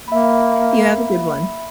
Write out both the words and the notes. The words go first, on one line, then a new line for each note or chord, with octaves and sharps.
You have a good one.
A#3 E5 B5